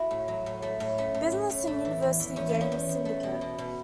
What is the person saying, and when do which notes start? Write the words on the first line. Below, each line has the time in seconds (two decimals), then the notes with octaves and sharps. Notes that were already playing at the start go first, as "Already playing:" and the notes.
'Business and University Games Syndicate'.
Already playing: A3 E4 F#4
0.11 A2
0.28 F#3
0.46 A2
0.62 A3
0.80 A2
0.98 A3 C#4
1.14 A2
1.32 A2
1.50 A2
1.67 A3
1.85 E3
2.02 E2
2.20 E3
2.36 E2 C#4
2.49 B3
2.54 E2
2.61 C#4
2.72 E2
2.89 E2
3.05 A3
3.23 B2
3.41 B2
3.58 B2